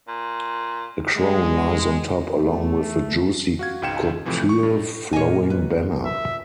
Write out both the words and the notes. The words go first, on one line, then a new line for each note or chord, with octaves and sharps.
A crown lies on top along with a Juicy Couture flowing banner.
A#2
G#3
A3
F#4 F5 G#6
C#2 G#2 F5 G5 C#7 E7
A2 C3 E3 F3
C#6
G2
A#2 G#3 C#5 D#5 G#5
B4
E5